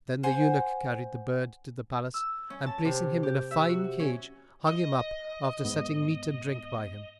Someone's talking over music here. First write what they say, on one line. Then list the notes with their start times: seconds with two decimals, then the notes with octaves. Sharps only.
Then the eunuch carried the bird to the palace and placing him in a fine cage, hung him up after setting meat and drink by him.
0.23 C5 F#5 G#5
2.14 E6
2.50 C#4
2.66 A5
2.85 C3
3.23 G4
3.51 E5
3.69 F#4
4.00 C#4
4.68 D#5
5.65 G#2 B3